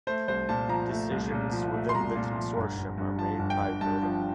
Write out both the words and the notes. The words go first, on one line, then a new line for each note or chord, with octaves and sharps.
Decisions within the consortium are made by voting.
A3 C5
C2 C5
A#2 A5
F3 A#5
A3
C2
A#2
F3
A3
C6
C2 A#5
A#2
F3
G1
G1
G2
F3 A5
G1
G5
G1
G2 A5
F3